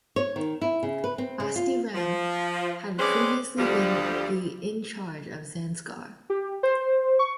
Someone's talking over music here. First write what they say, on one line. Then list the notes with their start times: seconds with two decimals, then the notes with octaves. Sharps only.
Basti Ram had previously been the in charge of Zanskar.
0.16 C#5
0.36 D#3
0.61 E4
0.83 C#3
1.04 B4
1.18 C4
1.40 C#3
1.56 F4
1.95 F3
2.98 G#3 C4 C#4 B4 C5 D5
3.58 D2 F3 G3
6.30 G4
6.63 C5
7.19 C#6